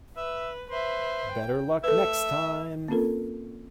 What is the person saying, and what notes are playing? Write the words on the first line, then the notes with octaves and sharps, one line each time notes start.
Better luck next time!.
B4 E5
B4 C5 E5
G5
A3 A4 B4 E5
A#3 C4 C#4 F4 A4 A#4